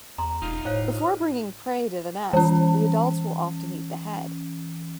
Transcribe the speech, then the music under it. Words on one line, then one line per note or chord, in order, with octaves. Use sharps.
Before bringing prey to the nest, the adults will often eat the head.
E2 A#5 C6
E1 D#4 F4
A2 C5 C#5 F5
E3 C#4